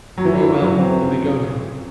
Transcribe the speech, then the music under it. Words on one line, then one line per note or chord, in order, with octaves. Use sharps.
"Very well, you may go now."
F#3
E3
E3
F#3
C4